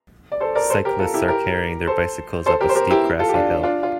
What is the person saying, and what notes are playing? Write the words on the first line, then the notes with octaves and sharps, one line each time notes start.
Cyclists are carrying their bicycles up a steep grassy hill.
D5
A4 C5
A#4 D5
A4 C5
G4 A#4
F4 A4
E4 G4
G4 A#4
A4 C5
A4 C5
G4 A#4
C5
G4 A#4
E4 G4
F4 A4
G4
D4 F4
D4 F4
F4